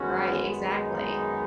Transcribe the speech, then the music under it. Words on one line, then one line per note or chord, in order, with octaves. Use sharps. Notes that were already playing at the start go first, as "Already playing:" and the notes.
Right, exactly.
Already playing: F#2 D#3 G#3 B3 C#4 F#4
D#4 G#4